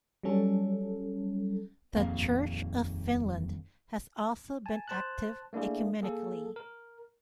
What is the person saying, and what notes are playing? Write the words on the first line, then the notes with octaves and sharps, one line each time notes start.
The Church of Finland has also been active ecumenically.
F#3 G3 C#4 A4
D#1 A#1 F2 A#3
G#5 A5
C5 A5 F#6
A3 A#3 D4 E4 G#4
A#3 G#4 A4
A#4